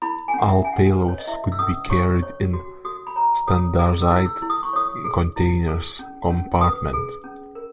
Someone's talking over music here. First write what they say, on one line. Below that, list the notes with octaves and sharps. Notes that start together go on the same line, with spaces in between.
All payloads could be carried in a standardised container compartment.
E4 B5
G#5
C#4 F#5
E5
C#4 G#5
F#5
B4
C#5
D#5
E4 E5
E6
C#4 D#6
C#5 C#6
C#5
F#4
F#4 D#6
B5
C#5 A#5
C#5 D#6
G#4
E6
E4
E6
E4
D#6
C#6
C#5 D#6
G#4
E4
G#4
C#4
C#4
B4 D#6
G#4
C#4
A#4